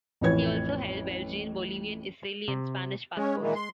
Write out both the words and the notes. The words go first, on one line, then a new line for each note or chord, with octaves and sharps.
He also held Belgian, Bolivian, Israeli, and Spanish passports.
A1 F2 A2 E3 C#5 G#6
C3
G#3 C#4
A#2 D#3 E3
C6